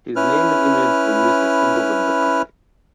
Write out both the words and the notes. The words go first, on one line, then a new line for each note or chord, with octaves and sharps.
His name and image were used as symbols of the company.
C#4 E4 B4 F6